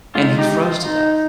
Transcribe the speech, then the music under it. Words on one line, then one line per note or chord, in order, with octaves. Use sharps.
and he froze to death.
D3 G#3 D#4 F4
D#4 G4
D#4
F4
D#4